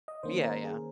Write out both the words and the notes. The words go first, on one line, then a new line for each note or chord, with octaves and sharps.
Yeah, yeah.
D#5
D#3 A#3 C#4 C5
A#4
G#4